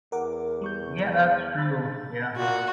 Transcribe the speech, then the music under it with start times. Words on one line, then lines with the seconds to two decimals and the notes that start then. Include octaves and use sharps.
Yeah, that's true. Yeah.
0.12 E2 A#4 F#5 D6
0.62 G3 C#6 G6
1.58 B5 A6
2.37 A#2 F#4